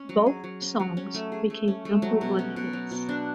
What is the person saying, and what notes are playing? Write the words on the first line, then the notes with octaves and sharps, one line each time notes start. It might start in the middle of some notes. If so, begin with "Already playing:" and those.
Both songs became number one hits.
Already playing: C#4
F#3
G#4
F#3
C#4
F#3
C#4
A3
G#4
A3
C#4
A3
F#3
B2
C#4
B2
F#3
B2
D4